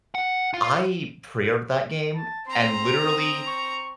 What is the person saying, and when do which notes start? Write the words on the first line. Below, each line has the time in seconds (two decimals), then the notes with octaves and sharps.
I pre-ordered that game and literally,
0.15 F#5
0.54 F4
2.15 A5
2.47 C4 A#5 C6
3.04 D#6
3.47 C#6